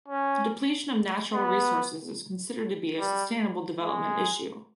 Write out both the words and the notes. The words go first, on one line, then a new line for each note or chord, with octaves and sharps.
The depletion of natural resources is considered to be a sustainable development issue.
C#4
B3
G3
G#3